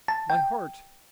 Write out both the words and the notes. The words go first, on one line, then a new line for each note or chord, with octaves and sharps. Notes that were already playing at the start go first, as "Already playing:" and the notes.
My heart!
A5
G5